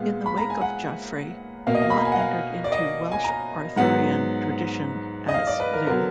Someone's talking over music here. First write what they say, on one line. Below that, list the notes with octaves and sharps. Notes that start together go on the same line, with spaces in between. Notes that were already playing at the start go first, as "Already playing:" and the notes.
In the wake of Geoffrey, Lot entered into Welsh Arthurian tradition as "Lleu".
Already playing: A#2 G#3 B3 F5
B5
A#5
G#5
F#5
B2 A#3 F5
D#5
F5
B5
A#5
G#5
F#5
F5
D5
D#5
G#5
A#5
G#2 F#3 B3 F#5
D#5
F5
D5
B4
A#4
D3 F#3 B3 A#4